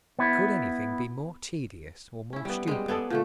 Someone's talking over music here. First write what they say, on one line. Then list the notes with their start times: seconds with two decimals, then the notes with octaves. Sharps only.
Could anything be more tedious or more stupid?
0.19 B3 E4
2.33 C#4 E4
2.45 G3 B3
2.68 G3 G#3
2.88 B3 G#4 A4 D5
3.10 A#2 D3 A3